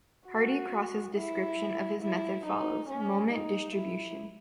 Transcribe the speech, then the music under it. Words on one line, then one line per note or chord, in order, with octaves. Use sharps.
Hardy Cross's description of his method follows: Moment Distribution.
F#4
E4
E4
D#4
C#4
D#4
E4